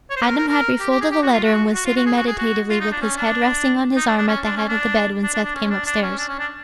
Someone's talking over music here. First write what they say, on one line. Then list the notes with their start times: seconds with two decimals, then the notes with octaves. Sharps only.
Adam had refolded the letter, and was sitting meditatively with his head resting on his arm at the head of the bed, when Seth came upstairs.
0.10 C#5
0.16 C5
0.22 B4
0.27 A#4
0.37 A#4
0.48 A#4
0.80 G4
0.90 G4
1.01 G#4
1.11 G4
1.22 F#4
1.33 F4
1.43 F#4
1.75 F#4
1.85 F4
1.96 F#4
2.06 G#4
2.17 F#4
2.27 G#4
2.38 F#4
2.69 F4
2.80 D#4
2.91 D4
3.01 C#4
3.17 D4
3.96 D#4
4.07 D4
4.17 D4
4.28 C#4
4.44 D4
4.56 C#4
4.69 D4
5.23 D4
5.34 D4
5.44 D4
5.55 C#4
5.70 D4
5.86 D4
6.02 C#4
6.18 D4
6.28 C#4
6.39 D4